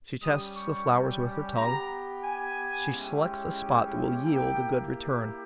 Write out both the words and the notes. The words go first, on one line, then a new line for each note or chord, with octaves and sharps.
She tests the flowers with her tongue; she selects a spot that will yield a good return.
G3 C#4 G4 D#6
C#6
B3 G4 A#5
G#5
G#3 C#4 E4 G4
A#3 E4 G4 G5